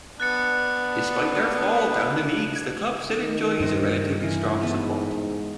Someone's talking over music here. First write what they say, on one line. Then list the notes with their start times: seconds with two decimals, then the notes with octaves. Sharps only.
Despite their fall down the leagues the club still enjoys a relatively strong support.
0.20 B3 D4 F#6 A6 C#7
3.14 D#3
3.60 G2 C5 D#5
4.20 E3 A#4
4.61 G#2 B3 B4 A5